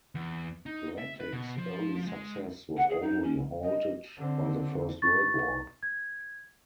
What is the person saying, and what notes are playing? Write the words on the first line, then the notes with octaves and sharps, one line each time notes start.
Latics early success was only halted by the First World War.
E2
D#4
E5
B4
B2
F3
G#3
F#5
G#4
D#4
C#4
D#5
D3 C4
C#6 A6
G#6